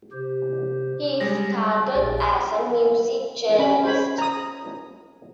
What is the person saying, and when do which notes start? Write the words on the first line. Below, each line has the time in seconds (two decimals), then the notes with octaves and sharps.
He started as a music journalist.
0.12 C3 G4 C5
1.20 G3 G#3 A#6
1.95 A#1 G4 G#4 A6
2.18 E5 G#5 B5 E6
3.59 C#4 B5
3.84 C5 C#5 B5
4.18 A#5 D#6